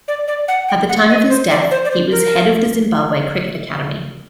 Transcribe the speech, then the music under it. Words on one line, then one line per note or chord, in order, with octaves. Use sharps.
At the time of his death, he was head of the Zimbabwe Cricket Academy.
D5
D5
F#5
G5
F#5
D#5
C5
D5
C5
D5
C5
A#4